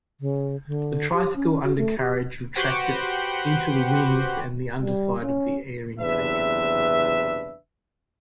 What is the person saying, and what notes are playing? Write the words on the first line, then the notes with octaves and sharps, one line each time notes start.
The tricycle undercarriage retracted into the wings and the underside of the air intake.
C#3
D3
G4
C#4
F#4
A3
G4
F#4 G4 B4 C5 F#5 G5
G3
C#4
F#1 E2 C3 D4 B4 E5